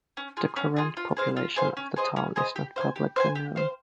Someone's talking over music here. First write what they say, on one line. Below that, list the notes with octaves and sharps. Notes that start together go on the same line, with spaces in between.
The current population of the town is not publicly known.
C#4
F4 G#4
C#4
F4 G#4
F4
G#4 C5 F5
F4
G#4 C5 F5
C#4
G#4 C5 D#5
C#4
G#4 C5 D#5
G4
C5 F5 G#5
G4
C5 F5 G#5
G4
C5 F5